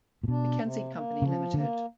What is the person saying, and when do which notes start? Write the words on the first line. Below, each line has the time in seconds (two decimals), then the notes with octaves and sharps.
McKenzie Company, Limited.
0.23 A#2
0.28 B2 D4
0.60 C3
0.91 A#3
1.21 C#3 F3
1.54 D3 A#3